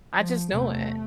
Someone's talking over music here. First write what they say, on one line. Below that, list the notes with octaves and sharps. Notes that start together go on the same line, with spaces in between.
I just know it.
F3
E2 C3 A3